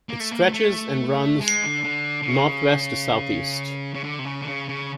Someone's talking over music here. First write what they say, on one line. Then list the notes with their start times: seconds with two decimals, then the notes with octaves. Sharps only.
It stretches and runs northwest to southeast.
0.09 A#3
0.20 A3
0.31 A#3
0.42 A3
0.53 A3
1.41 G#3
1.63 D3
1.84 D3
2.22 D3
2.28 C#3
3.94 C#3
4.04 D3
4.19 C3
4.25 C#3
4.42 D3
4.47 C#3
4.69 C#3